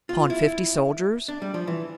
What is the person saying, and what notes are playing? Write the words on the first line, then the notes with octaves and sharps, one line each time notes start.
"Upon fifty soldiers?"
F4
E4
D4
G3
F3
E3